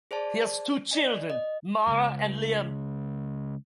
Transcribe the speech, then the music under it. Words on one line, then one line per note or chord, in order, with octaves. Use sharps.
He has two children, Mara and Liam.
G#4 C5 D5 A5
D5 D#5 G#5
D#5
C#2 F#2